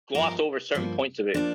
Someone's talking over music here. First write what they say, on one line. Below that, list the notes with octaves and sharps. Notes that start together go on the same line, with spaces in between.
gloss over certain points of it,
G2 F3 A#3 A#4
G2 F3 A#3
F3 A#3 D4